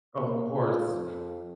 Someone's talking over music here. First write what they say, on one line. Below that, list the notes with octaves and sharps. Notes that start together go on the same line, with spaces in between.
Of course.
A#3
F4
F2